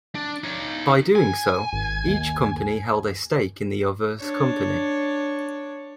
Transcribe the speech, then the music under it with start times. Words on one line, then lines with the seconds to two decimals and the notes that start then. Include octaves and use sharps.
By doing so, each company held a stake in the other's company.
0.15 D4
0.44 D#4 C#5
1.15 G#5
1.73 G#1
2.07 D#2
4.20 D4 C#5